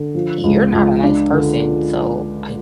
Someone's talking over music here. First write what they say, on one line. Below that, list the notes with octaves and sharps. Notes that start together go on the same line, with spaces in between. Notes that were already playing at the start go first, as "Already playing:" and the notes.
you're not a nice person, so I
Already playing: D3
F3
C#2
C#2
D4
D3